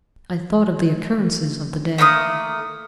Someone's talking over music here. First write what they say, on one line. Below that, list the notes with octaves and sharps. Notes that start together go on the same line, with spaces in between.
I thought of the occurrences of the day.
A3 A#3 C6 D#6